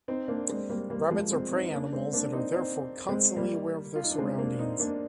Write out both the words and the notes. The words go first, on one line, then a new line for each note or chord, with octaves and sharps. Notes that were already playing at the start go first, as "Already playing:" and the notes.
Rabbits are prey animals and are therefore constantly aware of their surroundings.
C4 D#4
A#3 D4
G#3 C4
G3 A#3
G3 A#3
F3 G#3
G#3 C4
C4 D#4
A#3 D4
G#3 C4
A#3 D4
C4 D#4
C4 D#4
G#3 C4
G3 A#3
F4
D#4
D4
G#3 C4
A#3 D4
C4 D#4
A#3 D4